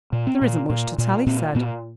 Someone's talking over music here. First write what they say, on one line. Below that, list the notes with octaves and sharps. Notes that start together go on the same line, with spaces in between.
"There isn't much to tell," he said.
A#2
C4
A#2
A#2
A#2
A#2 C4
A#2 B3